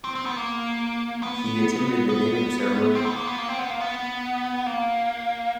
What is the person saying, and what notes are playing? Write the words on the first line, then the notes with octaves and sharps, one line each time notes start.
He attended the naming ceremony.
C4
C4
B3
A#3
B3
B3
C4
B3
A#3
B3
A#3
C4
B3
A#3
B3
A#3